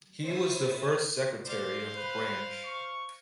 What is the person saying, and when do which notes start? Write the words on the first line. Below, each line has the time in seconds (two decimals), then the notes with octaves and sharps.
He was the first Secretary of the branch.
0.23 E4 C5 C#5 E5 D#6 A6
1.46 C5 D5 F5
1.96 B4
2.65 C#6